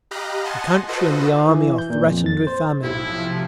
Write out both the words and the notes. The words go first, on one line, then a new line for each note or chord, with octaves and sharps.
The country and the Army are threatened with famine.
G4 D#5 F5 A#5 B5 F#6
D#5 F#5 G#5 A5 C6
F4 F#4 A4 B4 C5 D#5
E3
G6
A#2
F2
A6
C5
B1 A2 C3 F3 E4